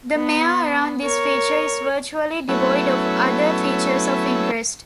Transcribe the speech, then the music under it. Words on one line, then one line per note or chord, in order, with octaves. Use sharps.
The mare around this feature is virtually devoid of other features of interest.
B3
A#4 C#5
F#3 A3 B3 C#4 E4